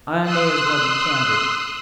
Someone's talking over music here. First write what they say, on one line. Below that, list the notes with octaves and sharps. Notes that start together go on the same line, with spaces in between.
I may as well be candid.
C6 D#6 E6 F#6